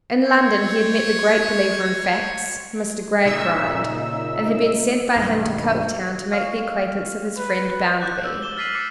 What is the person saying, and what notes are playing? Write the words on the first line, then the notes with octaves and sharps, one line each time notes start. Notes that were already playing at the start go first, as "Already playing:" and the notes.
In London he had met the great believer in facts, Mr. Gradgrind, and had been sent by him to Coketown to make the acquaintance of his friend Bounderby.
C5 C#5
A#2 C#3 D#4 E5 E6
B1 G2 D#3
C#5 F5
B4
D6 F#6 G6
E6
D6 E7 G7
F6 A6 B6 C7 D#7 F#7
D6 C#7